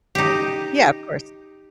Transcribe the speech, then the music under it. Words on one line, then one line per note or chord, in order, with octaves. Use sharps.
Yeah, of course.
D#4 G4